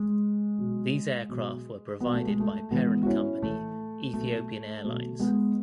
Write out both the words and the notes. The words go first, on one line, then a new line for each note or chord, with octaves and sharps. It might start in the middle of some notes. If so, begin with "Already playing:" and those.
These aircraft were provided by parent company Ethiopian Airlines.
Already playing: G#3
B2 F#3
B2 F#3
B2 F#3 B3
A3
G#3
A3
A2 E3 G#3 B3
F#4
C#4 E4
A2 E3 A3
B2 F#3 A3
B2 F#3 A3
G#3 B3